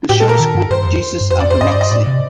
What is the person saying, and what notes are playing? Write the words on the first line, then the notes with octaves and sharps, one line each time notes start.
The show was called "Jesus At the Roxy".
A2 G4
A4
A#2 A#4
D#3
G2
G2 C5
F2
G2
F2 C5
D5
C5
G2 D#5
D5
D#5
A2 D5
C3